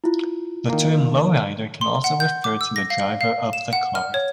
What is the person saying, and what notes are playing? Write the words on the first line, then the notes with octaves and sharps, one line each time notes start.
The term "lowrider" can also refer to the driver of the car.
E4 F4
D#3 A#3
C6
F#5
G6
D6
E6
A#6
F5
F5
E7
F#5
F6
C#5